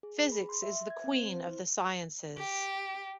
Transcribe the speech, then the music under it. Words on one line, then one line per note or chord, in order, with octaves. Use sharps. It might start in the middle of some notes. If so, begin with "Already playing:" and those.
Physics is the queen of the sciences.
G#4
G#4
B5
C6
E5
E5
G#6
C4
C5
C5
E4
G4